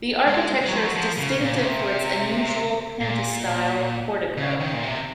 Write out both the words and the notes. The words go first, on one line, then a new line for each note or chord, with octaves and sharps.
The architecture is distinctive for "its unusual pentastyle portico".
G#3
G#3
F#3
F3
F#3
F3
C#3
A#2
C#3
C3
A#2
C#3
D#3
A#2
C3